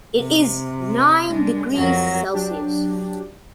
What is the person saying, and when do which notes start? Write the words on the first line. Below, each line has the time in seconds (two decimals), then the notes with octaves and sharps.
It is nine degrees Celsius.
0.17 C3
1.27 G3 G#3 D4
1.75 F2 F#3 A#4
2.33 F#3 D4 G4